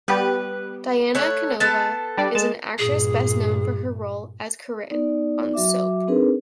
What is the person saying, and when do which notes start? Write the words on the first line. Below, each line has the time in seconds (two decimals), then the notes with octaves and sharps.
Diana Canova is an actress best known for her role as Corinne on "Soap".
0.08 G3 B3 G4 B4
1.15 A3 C#5 F#5
1.60 B3 A4 A5
2.18 G3 D4 D5
2.35 G#3 A6 E7
2.79 G2 A#2 G#4
4.90 B3 D#4 D5
5.54 F#3 F#4 E5 D6
6.08 C4 D4 D#4 G#4 A#4 B4